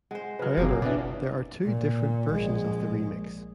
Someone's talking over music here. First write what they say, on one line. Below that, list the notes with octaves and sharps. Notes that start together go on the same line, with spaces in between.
However, there are two different versions of the remix.
G#3 C5 F#5
C#3 F#3 B4 F6
F#1 F#2 C3 F#3 A#3 G4 G#4
B2 E3 B3 D4 D5
A#2
A#1 G#3